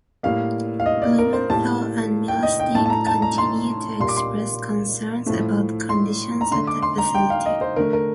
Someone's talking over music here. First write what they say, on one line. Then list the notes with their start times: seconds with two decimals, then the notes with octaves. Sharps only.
Blumenthal and Milstein continued to express concerns about conditions at the facility.
0.23 A2 G3 A#3 F5
0.80 F5
0.86 D#5
1.02 D5
1.18 A#4
1.33 C5
1.50 A2 G3 A#3 A5
2.28 G5
2.43 D#5
2.60 G5
2.75 A2 A3 A5
2.86 A5
2.90 A#5
3.07 A5
3.22 A#5
3.38 C6
4.00 A#2 G3 A#3 C6
4.09 D6
4.17 C6
5.26 A2 F3 A3
5.89 C6
6.41 A#5
6.51 D3 A3 C6
6.67 D6
6.82 C6
6.98 A#5
7.15 G5
7.30 F5
7.46 D#5
7.61 C5
7.76 D3 A3 A#4
7.93 A#4